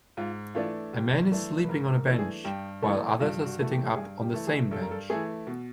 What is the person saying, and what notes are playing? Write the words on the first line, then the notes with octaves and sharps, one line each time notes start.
A man is sleeping on a bench while others are sitting up on the same bench.
G#2 F4
E3 A3 D4 F4
G#2 G4
E3 A3 D4
B4
G#2 A#4
A#4
E3 A3 D4
G#4
G2 G4
E3 A3
G2 F4
F#4
E3 A3 F#4
G4
G4
G2 G#4
G4
E3 A3
G#4
G2 A4
A#4
A4
E3 A3 G#4
B2